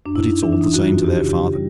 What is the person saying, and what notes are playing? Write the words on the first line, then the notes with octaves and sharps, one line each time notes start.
But it's all the same to their father.
F#2 D4
E4
D#4
E3 D4
D4
D#4
F#4
F#2 F4
G4
C#3
G4
G3